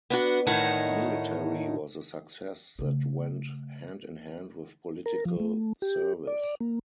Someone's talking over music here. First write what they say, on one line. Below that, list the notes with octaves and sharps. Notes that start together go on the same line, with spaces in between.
Military was a success that went hand in hand with political service.
B3 D4 F#4
E2 A2 D#3 D#4 C#5 F#5
C#3 A3
A#4
F3
A3
G4
D5
A#3